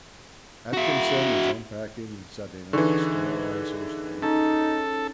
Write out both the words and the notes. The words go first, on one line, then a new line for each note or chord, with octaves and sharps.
Atkinson is unpacking and setting up his sterilizers and incubators.
E4 F#4
D3 E3 D#4 G#4 C#6
C#4 D#4 A4